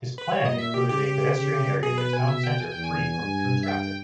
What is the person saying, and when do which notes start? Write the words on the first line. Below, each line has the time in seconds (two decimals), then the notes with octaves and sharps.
His plan included a pedestrian area in the town centre free from through traffic.
0.18 B4
0.32 C#5
0.43 A#2 D#5
0.58 E5
0.74 G4
0.89 C#3 G4
1.37 C#3
1.82 B2 G#4
1.98 B4
2.13 G#5
2.28 E5
2.44 G5
2.60 G#5
2.72 E2 G5
2.84 G#5
3.21 G2
3.63 E5
3.68 G5
3.83 G5